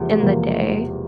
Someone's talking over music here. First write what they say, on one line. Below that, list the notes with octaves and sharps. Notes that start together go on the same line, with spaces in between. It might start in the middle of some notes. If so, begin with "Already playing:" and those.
in the day,
Already playing: E1 E2 C3 F3 A#3
E1 E2 C3 F3 A#3